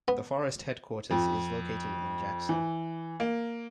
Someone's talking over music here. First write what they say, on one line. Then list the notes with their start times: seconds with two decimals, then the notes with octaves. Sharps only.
The forest headquarters is located in Jackson.
0.08 B3
1.11 F2
2.49 E3
3.20 A#3